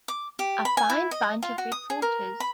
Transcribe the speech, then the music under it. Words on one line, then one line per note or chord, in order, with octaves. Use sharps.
A fine bunch of reporters.
D6
G4
B5
G#5
E4
D#5
F4
F#4
D#6
G#4
A#4
B5